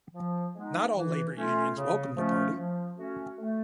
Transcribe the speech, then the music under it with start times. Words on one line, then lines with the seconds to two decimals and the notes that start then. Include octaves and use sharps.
Not all labour unions welcomed the party.
0.14 F3
0.55 G#3 B3 D#4
0.95 E3
1.36 A3 C#4 F4
1.76 C#3
2.16 F3 A3 C#4
2.57 F3
2.97 A3 C#4 F#4
3.38 A3